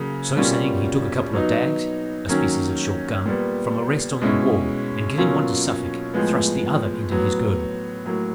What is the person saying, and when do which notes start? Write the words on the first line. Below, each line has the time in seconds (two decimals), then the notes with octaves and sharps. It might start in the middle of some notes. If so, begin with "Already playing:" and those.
So saying, he took a couple of dags--a species of short gun--from a rest on the wall, and giving one to Suffolk, thrust the other into his girdle.
Already playing: C#3 F#3 A#3
0.36 B2 G3 A#3 C#4 F4
1.33 F#3 B3 D#4
2.29 D#3 F#3 A#3 C#4
3.25 A#2 G3 B3
4.21 B2 G#3 C#4 E4
5.17 B2 F#3 A#3 C#4 F4
6.14 A2 F3 G#3 B3
7.09 A2 F#3 B3
8.05 A2 F#3 A#3